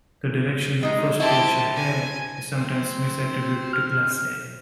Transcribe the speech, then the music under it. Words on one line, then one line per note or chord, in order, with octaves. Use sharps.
The direction "First catch your hare" is sometimes misattributed to Glasse.
G3 G#3 D#4
E4 G4 C5 A5
G#5
C4 C5
F6